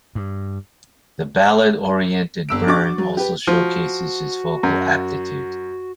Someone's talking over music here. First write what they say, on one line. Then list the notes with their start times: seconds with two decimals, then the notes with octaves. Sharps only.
The ballad-oriented "Burn" also showcases his vocal aptitude.
0.15 G2
2.49 G1 E6 D7
2.67 D4 F#4 C#6 D6 A6
2.98 F#3
3.17 G4 B4
3.47 F3 F#4
4.63 F#2